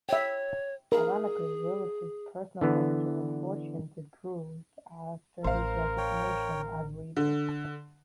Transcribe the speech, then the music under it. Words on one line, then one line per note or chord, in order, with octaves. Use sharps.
Ironically, Willis's personal electoral fortunes improved after his resignation as leader.
C#5 E5 G5
G#4 A#4
D3 E3 B3
A1 A#4 C5 F5
C#5 G5
D3